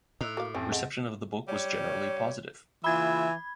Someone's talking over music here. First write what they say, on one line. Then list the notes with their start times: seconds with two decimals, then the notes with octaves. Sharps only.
Reception of the book was generally positive.
0.21 A2 D#4 E6 F#6 F7
0.37 A#3 F#4 F5 D6
0.54 A1 F2 C#4 G4 A4
0.72 G#3 F#5
1.48 G3 C#5
2.84 C#3 E3 A#3 F4 E5 B5 G#6